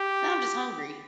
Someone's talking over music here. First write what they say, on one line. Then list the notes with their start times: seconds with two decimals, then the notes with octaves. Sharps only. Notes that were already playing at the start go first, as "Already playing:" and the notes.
Now I'm just hungry.
Already playing: G4